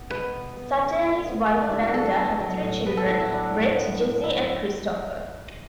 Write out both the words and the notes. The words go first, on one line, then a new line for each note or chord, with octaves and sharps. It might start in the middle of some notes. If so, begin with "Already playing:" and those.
Sutter and his wife Wanda have three children, Brett, Jessie and Christopher.
Already playing: B3
B2 B4
B3
B3
D3
D3
B3
B3
D4
D3 E4
F#4
D3 A4
B3
F#3
A2
B3 B4
A4
A2 F#4
E4
F#3 D4
A2
B3
A2
F#3 E4